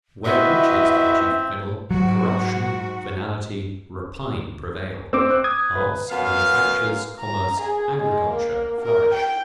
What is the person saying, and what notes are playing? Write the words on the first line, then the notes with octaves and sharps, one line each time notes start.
Where riches are the chief idol, corruption, venality, rapine prevail: arts, manufactures, commerce, agriculture flourish.
C4 E4 F#4 B4 D#5 E5
G#2 F#3 F#4
C4 D6 E6
F#6
D#6 G#6
B4
F#2 B3 F5
A#5
G#4
G#3
A#3
A#4
G5